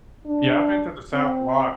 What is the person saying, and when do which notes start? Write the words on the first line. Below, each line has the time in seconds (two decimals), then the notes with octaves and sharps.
Yeah, I've been to the South a lot.
0.26 D4
1.14 C4